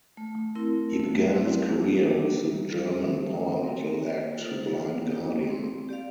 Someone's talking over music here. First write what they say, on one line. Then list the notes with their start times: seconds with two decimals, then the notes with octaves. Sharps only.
He began his career with the German power metal act Blind Guardian.
0.17 A3
0.55 C4 E4 A#4
0.94 A3
1.31 C4 E4
1.69 A#3
2.08 D4 G4
2.46 G3
2.84 C4 G4 C5 E5
3.22 A3
3.60 C4 G4 A#4
3.98 A#3
4.36 F4 A4 C5
4.75 A#3
5.12 E4 G4
5.50 C4
5.89 G4 D5 F5